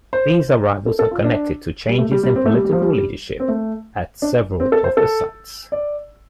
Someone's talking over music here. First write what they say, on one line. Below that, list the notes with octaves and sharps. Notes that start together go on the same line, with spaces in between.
These arrivals are connected to changes in political leadership at several of the sites.
C5
A4
A4
F4
D4
G3
A3
G3
G3
C4
A3
G3
G3
F3
G3
C4
A3
D4
C4
A4
C5
A4
D5